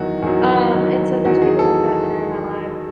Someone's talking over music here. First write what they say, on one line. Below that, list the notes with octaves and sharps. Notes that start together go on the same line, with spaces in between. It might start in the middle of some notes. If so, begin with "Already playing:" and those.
Um, and so there's people like that that are in my life
Already playing: E2 D#3 F#3 F#4
E2 D#3 F#3
E2 D#3 F#3
E2 D#3 F#3 F#4
G#4
A4